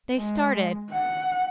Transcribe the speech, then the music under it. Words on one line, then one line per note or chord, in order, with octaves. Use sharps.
They started.
G#3
F#5